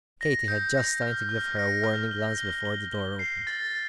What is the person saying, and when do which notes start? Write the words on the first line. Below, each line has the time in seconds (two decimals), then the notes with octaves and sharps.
Katy had just time to give her a warning glance before the door opened.
0.21 A#6
0.48 G6
0.75 A#6
1.02 F6
1.29 F6
1.57 A#6
1.84 F6
2.11 G7
2.38 G7
2.65 G7
2.93 G7
3.19 C7
3.47 A6